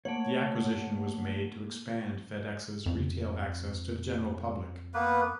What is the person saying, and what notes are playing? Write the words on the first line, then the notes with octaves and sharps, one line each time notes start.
The acquisition was made to expand FedEx's retail access to the general public.
A3 A#3 C#5 F#5
F2
A#3 B3 B4